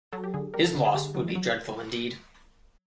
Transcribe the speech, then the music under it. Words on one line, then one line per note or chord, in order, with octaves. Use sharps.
His loss would be dreadful indeed.
F#3 A4
G4
D3 G#4
G3 A#4
A4
D3
G#4
D3 G4
F#3
F#3